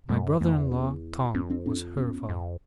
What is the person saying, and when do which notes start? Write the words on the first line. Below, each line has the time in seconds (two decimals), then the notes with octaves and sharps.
My brother-in-law, Tom, was her father.'
0.09 F#2 G3 A3
0.40 F2 A3 B3
0.56 E2
0.72 B3 C#4
1.34 F2 B3 C#4
1.50 C4 D4
1.66 C4 D4
1.97 B3 C#4
2.29 F2